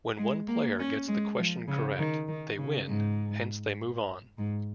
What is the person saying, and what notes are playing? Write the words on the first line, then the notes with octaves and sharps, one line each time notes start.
When one player gets the question correct, they win, hence they move on.
G#3
A#3
C#4
G#3
F3
C#3
D#3
D#3
C#3
G#2
G#2